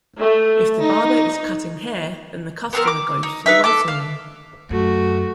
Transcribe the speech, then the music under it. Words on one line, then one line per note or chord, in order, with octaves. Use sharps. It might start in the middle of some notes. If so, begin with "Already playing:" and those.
If the barber is cutting hair, then the customer goes to the waiting room.
A3
D#4
B3 C4 A#4
D6
D#4
D#4 B4 E5
A4 D6
F5
F#2 A3 F#4